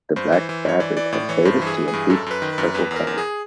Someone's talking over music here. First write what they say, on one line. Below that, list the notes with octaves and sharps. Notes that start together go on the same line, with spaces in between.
The black fabric had faded to a deep purple colour.
G2 C5
E3
E3
G2 C#5
E3 D5
E3 D5
A2 D5
E3 C#5
G2 C5
E3
G#4
E3
G#4
G2
F#2 A4
F#2 B4
D#3
B4
F#2
E2 B4
E2
A#4
E2
G#4